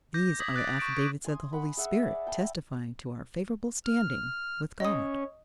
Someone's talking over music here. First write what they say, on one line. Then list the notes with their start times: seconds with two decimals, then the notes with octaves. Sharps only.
These are the affidavits of the Holy Spirit testifying to our favorable standing with God.
0.14 D6 G6 A#6
0.40 D6 D#6 G#6 A#6 B6 F#7
0.55 D6 F#6 A6 D7
0.80 C#6 D7
1.25 G#5 C6 D#6
1.53 F#5 B5
1.77 G#4 E5 F#5
2.03 D5
2.27 G5 A5 B5
3.85 F6
4.80 C#4 C#5 D#5 D#6